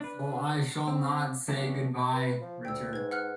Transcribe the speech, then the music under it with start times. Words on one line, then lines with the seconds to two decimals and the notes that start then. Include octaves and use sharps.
So I shall not say good-bye, Richard.
0.01 D4 B4
0.87 C4
1.48 F#3 A3 B3 C#4 D4
2.13 B4
2.41 F3
2.65 D2 G5 E6
2.93 G#2 B4 G#6
3.11 F#5 F6 F#6